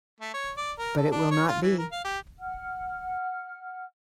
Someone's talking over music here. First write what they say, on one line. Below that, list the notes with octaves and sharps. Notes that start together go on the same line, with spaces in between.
But it will not be.
A3
C#5
D5
A#4
A4
D4
C#5
F4
E3
A#4
F5
G4
F#5 F6